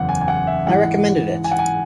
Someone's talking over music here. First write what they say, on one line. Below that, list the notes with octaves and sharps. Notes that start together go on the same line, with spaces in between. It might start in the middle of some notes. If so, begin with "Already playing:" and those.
I recommended it.
Already playing: F#1 E2 C#3 F#5
G#5
G#5
F#5
E5
G#2 E3 G#3 F#5
G#5
F#5
G#5